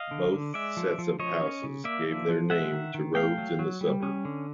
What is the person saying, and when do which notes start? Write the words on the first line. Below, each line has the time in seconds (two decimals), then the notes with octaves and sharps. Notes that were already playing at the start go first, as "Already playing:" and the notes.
Both sets of houses gave their name to roads in the suburb.
Already playing: D#5 F5
0.11 D3
0.32 D3
0.54 G#3 D5 E5
0.77 F3
0.98 F3
1.19 F3 C#5 D#5
1.42 C#4
1.63 C#3
1.84 A#3 D5 E5
2.07 F3
2.29 F3
2.50 G#3 E5 F#5
2.72 D#3
2.94 D#3
3.15 A3 F5 G5
3.38 F#3
3.59 F#3
3.81 G3
4.02 C#4
4.25 D3